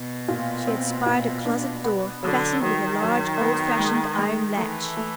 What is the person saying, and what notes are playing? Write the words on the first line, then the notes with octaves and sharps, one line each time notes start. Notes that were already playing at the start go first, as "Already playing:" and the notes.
She had spied a closet door, fastened with a large old-fashioned iron latch.
Already playing: B2
A#2
C4
A#2
D4
B3
D3 F#3
D#3 F#3
F#2
B3
G#3
G#3
E3 A3
A3